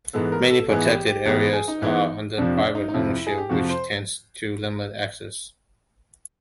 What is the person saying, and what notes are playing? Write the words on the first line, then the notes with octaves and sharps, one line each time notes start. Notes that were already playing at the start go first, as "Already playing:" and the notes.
Many protected areas are under private ownership, which tends to limit access.
G#2 E3 G#3 B3 A4
A#4
A4
G#2 E3 G#3 B3 G#4
G4
G4
G#2 E3 G#3 B3 G4
G#4
D#4
G#2 E3 G#3 B3
F2 C3 F3 D4
D4
D#4
D#4
F2 C3 F3 E4
G#4
G4
F2 C3 F3 F#4
C5